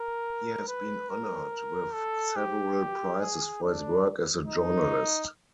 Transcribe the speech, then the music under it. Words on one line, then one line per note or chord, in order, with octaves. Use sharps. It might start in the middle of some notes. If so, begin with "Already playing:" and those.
He has been honoured with several prizes for his work as a journalist.
Already playing: A#4
B4
A#4
A4
G4
G#4
D4
D#4